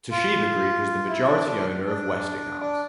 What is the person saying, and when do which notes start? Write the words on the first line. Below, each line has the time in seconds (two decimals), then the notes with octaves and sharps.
Toshiba Group is the majority owner of Westinghouse.
0.11 F4
1.08 E4
1.26 D4
1.46 D4
1.85 D4
2.61 D4